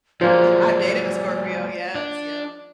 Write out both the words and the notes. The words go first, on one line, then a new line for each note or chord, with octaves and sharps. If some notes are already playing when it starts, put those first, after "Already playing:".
I've dated a Scorpio, yes, yep.
F3 F#3 G#3 A#3 D5
D4